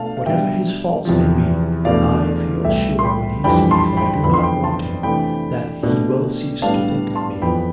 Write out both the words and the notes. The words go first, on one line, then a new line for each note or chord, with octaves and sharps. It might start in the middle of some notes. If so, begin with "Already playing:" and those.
Whatever his faults may be, I feel sure when he sees that I do not want him, that he will cease to think of me...
Already playing: B2 A3 D4 F5 A5
F5
B2 G3 D4 E5 G5
E2 C3 F3
E2 B2 A3 D4 D5 F5
C2 B2 A3 E5 G5
C6
G5 B5
F2 E3 G3 D4 G5 B5
A5 C6
G5 B5
F2 E3 B3 D4 B5
C6
G5 B5
A5 C6
C3 E3 A3 D4 G5 B5
B2 A3 D4
A2 G3 B3 D4 F5 A5
A5 C6
F2 E3 B3 G5 B5